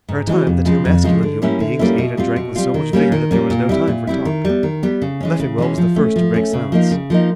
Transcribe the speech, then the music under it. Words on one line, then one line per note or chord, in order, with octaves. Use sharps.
For a time the two masculine human beings ate and drank with so much vigor that there was no time for talk. Leffingwell was the first to break silence.
G#2
E3 G#3 C#4 F#4
F2
C#3 F3 G#3
F2
C#3 F3 G#3
D3
G3 A#3 C#4 E4
D3
G3 A#3 C#4 E4
B2
G3 C4 F4
B2
G3 C4 F4
D#3
G3 A#3 C#4
D#3
G3 A#3 C#4
A#2
G3 C4 E4
A#2
G3 C4 E4
D#3
G3 B3
D#3
G3 B3
C#3
E3 G#3 C#4
C#3
E3 G#3 C#4
F3
A3 C#4
F3
A3 C#4
C#3
F3 A#3 D#4
C#3
F3 A#3 D#4